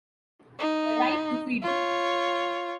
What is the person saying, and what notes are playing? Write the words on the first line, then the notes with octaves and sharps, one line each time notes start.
A right to freedom.
D#4
F4 C#5